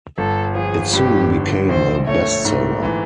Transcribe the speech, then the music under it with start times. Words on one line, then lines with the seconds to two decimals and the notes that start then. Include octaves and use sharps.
It soon became a bestseller.
0.18 G1 A4
0.55 F3 G#4
0.93 G2 G4
1.31 D3
1.69 A#1 C5
2.07 A3 C#5
2.45 G#2
2.83 E3